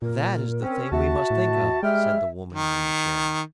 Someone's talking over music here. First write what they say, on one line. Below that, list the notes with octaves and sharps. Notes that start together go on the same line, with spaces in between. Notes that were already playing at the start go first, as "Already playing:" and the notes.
"That is the thing we must think of," said the woman in the chair.
A#2 A#4
C4 C#4
D#2 F#4 E5 A5
A2
G3 G#3 E5 G5 F6
D#3